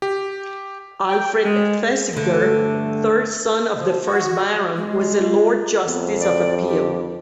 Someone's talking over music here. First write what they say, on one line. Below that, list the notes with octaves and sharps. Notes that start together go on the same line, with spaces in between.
Alfred Thesiger, third son of the first Baron, was a Lord Justice of Appeal.
G4
G5
G#3
G2 D3 A3
F3
F#4
G#3
F4
F2 B3
D5
G4